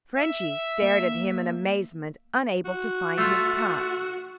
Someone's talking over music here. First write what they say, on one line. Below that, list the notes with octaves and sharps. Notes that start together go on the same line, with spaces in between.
"Frenchy" stared at him in amazement, unable to find his tongue.
E5
A#3
F#4
A3 F4